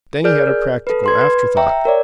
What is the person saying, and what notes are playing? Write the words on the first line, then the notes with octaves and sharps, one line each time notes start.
Then he had a practical afterthought.
G#4 A#4 D5 F6 G6
A4 B4
B4 C6 G#6
B4
E5 G5 A#5
A#4 C#5 D5